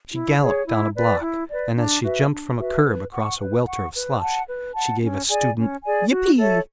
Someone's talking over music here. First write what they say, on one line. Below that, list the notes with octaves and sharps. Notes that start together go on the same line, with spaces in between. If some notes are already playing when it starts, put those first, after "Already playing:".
She galloped down a block and as she jumped from a curb across a welter of slush, she gave a student "Yippee!"
E4
G#4 C#5
E4
B4 D5
E4
B4 D5
D4
F#4 B4 E5
D4
F#4 B4 E5
B4
F#5
C#6
B4
F#5 C#6
B4
F#5 A5
B4
F#5 A5
C#4
G#4 D5 G#5
C#4
G#4 D5 G#5
F#4
A4 C#5 E5